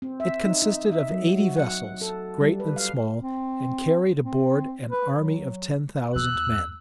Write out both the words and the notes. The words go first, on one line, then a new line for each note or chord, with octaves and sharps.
It consisted of eighty vessels, great and small; and carried an board an army of ten thousand men.
C4
E5
D#4
D#4
E5
F#3
F#4
F#5
A4
G3
B4
F5
C4
C4
B4
F#3
E2 B3 E6 F#6